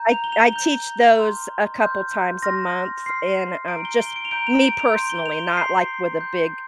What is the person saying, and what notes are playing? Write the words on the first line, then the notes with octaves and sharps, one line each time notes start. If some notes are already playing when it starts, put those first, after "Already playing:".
I I teach those a couple times a month, and, um, just me personally, not, like, with a big,
Already playing: A#5 G6
F7
G7
F7
A#5 G6 F7
C6 F6
C6 F6 G6
C6 F6 A#6
C6 F6 C7
A#5 G6 D7
G7
G7
D7
F7
A#5 G6 D7
F7
D7
F7
C6 G6
G7
F7
C6 G6 C7
C6 G6